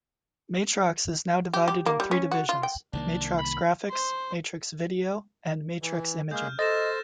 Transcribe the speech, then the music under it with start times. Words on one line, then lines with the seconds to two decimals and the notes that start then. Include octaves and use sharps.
Matrox is now divided in three divisions: Matrox Graphics, Matrox Video, and Matrox Imaging.
1.53 G4
1.68 G4
1.86 A#3
2.00 G3
2.11 C#4
2.31 F#4
2.49 F4
2.63 G5
2.93 C2 D#3 A#3 D4
3.38 B5
3.91 C5
5.82 E3
6.31 G#3 A#3 G#4 F6 G6
6.59 A4 C5 D#5 A6 A#6 E7